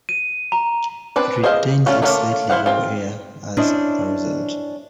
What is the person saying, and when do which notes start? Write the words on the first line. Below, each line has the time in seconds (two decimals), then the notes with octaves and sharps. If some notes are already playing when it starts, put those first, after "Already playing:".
It retains its slightly rural air as a result.
0.09 D#7
0.52 A#5
1.16 C4 D4 B4
1.43 G#4 C5 D#5 F5
1.86 G3 A3 C#4 F4
2.02 A3 A#3 C#4 D4 F4
2.49 E4 C5 F5 F#5
2.66 C4 F4
3.57 C#4 D4 E4 C5 D5 D#5